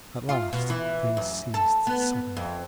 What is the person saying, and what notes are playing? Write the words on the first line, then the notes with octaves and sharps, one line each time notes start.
At last these ceased suddenly.
F4
B2
E3
F#2
A4
B3
F2